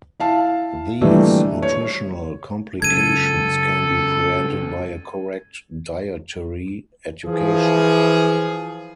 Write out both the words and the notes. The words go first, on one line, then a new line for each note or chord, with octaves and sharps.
These nutritional complications can be prevented by a correct dietary education.
E4 F5 A5
A#2 D#3 E3 G3 A3 D4
C#5
F#2 C#3 G#3 A4 G#6 D#7
E3 F3 G#4